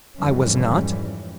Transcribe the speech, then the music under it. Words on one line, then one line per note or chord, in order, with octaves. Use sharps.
I was not.
G#1 F2 G#2 E3 G3 C#4